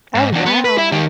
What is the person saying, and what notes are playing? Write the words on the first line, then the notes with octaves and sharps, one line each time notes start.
Oh, wow.
G#2
E2 D4
B3
B4
E4
D#3 G4